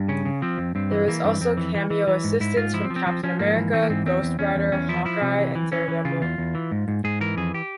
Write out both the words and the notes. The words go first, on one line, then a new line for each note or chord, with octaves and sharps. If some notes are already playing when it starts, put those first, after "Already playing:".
There is also cameo assistance from Captain America, Ghost Rider, Hawkeye, and Daredevil.
Already playing: G2
C#3 C#4
C#3
F3 C4
F2
G2 C4
E3
E3 A#3
G2 C4
F2 C4
E3
E3
E3
E3
G#2
G#2 E4
G#2 F4
F3 E4
C4
F3
C4
F3 C4
F3 C#4
G#2 A#3
E3
E3 C4
A#3
G#2 C4
E2 C4
E2
E2 C#4
E2
E2 C#4
F3 E4
F3 E4
C3 C4
E3
E3
E3 C#4
E3
C#3 F4
E2 F4
E2
E3
G#2
G#2
G#2 G#4
E3 A#4
F2 G#4
G4